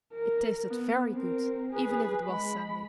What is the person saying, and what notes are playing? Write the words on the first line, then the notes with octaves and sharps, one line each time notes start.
It tasted very good, even if it was sandy.
A#4
B3
C4 A#4
G#4 B4
G#3 B5